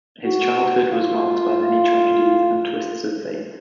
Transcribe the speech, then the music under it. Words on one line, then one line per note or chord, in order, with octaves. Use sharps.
His childhood was marked by many tragedies and twists of fate.
F#4
F4